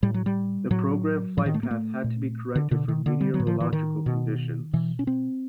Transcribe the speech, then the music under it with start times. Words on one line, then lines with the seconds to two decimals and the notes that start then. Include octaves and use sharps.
The programmed flightpath had to be corrected for meteorological conditions.
0.03 A2 G3
0.14 F#3
0.26 G3
0.70 A2 F#3
1.37 A2 F3
1.46 D#3
1.54 A3
1.63 A#3
1.71 A3
2.04 A#2
2.55 D3
2.71 B2 D3
2.88 D#3
3.06 D3
3.21 G3
3.34 F#3
3.40 A2
3.47 F3
3.60 E3
3.73 D#3
4.06 B2
4.73 B2 E3
4.99 C#4
5.07 C4